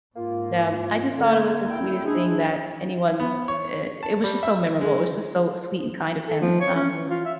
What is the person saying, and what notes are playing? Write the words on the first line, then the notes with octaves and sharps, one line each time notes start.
um, I just thought it was the sweetest thing that anyone, eh It was just so memorable, it was just so sweet and kind of him, um,
G#2 A#3 F4
D3 A#3 G#6
D3 E4 G5
G#3 D4 G#4
B3
C#5
A5
G3
E5
G#3
A4
F3
C#5
C#4
E3
F4
E5